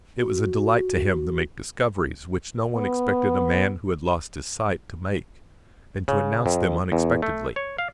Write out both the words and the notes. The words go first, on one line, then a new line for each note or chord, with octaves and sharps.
It was a delight to him to make discoveries which no one expected a man who had lost his sight to make, and to announce them unexpectedly.
F#4
B3
C#3
F2
E2
A3
C#5
F5